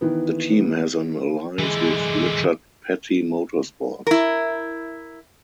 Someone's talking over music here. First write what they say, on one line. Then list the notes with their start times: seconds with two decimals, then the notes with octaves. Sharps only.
The team has an alliance with Richard Petty Motorsports.
0.01 D#3 E3 B3
1.59 D3 E3 G#3
4.07 E4 A#4